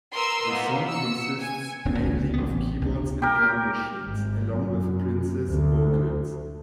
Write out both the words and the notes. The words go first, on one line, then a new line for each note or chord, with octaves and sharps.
The song consists mainly of keyboards and drum machines, along with Prince's vocals.
A#4 B4 C6 D#6 E6
A#3 B3 D#4
E6 C#7
G#5
D#1 C4 D4
C#2
A1 B3
C#2 D4
G4 A#4
G#1
F#2
D2